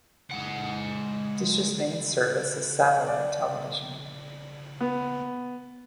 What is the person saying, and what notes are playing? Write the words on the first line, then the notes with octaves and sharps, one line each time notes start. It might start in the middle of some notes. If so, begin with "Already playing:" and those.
Dish's main service is satellite television.
G#3 F#5
D5
B3